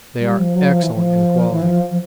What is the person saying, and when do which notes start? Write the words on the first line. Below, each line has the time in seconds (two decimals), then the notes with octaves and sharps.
They are excellent in quality.
0.20 G3
0.38 F3
0.55 F#3
0.69 F3
0.82 E3
0.96 F3
1.51 E3
1.62 F3
1.91 F3